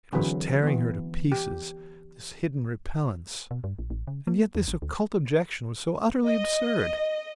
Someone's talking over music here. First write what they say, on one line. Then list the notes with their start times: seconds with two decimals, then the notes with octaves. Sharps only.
It was tearing her to pieces, this hidden repellence. And yet this occult objection was so utterly absurd.
0.13 D3 E3 F#3 C4 G#4 B4
0.63 E3 B3
1.32 G4
3.51 B2
3.64 G2
3.79 A#1
3.90 A1
4.07 C#3
4.27 A#3
4.55 E2
4.68 G#1
4.82 D2
6.26 D#5